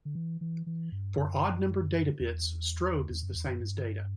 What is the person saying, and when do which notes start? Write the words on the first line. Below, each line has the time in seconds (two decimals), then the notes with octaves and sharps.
For odd-numbered Data bits, Strobe is the same as Data.
0.05 D3
0.15 E3
0.41 E3
0.66 E3
0.92 G2
1.18 F#2
2.20 E2
3.10 E2
3.22 F#2
3.35 E2
3.48 F#2
3.60 G2